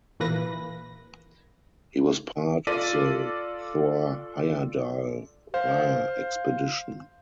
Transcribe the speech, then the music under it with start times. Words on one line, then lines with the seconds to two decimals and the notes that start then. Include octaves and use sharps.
He was part of the Thor Heyerdahl Ra expedition.
0.20 A#2 E3 A#3 B4 A#6
2.67 F4 A4 D5 A#6 B6 D#7
5.54 C5 F5